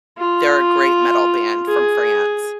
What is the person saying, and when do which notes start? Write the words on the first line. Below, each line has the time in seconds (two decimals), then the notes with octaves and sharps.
they're a great metal band from France.
0.18 F4
1.68 G#4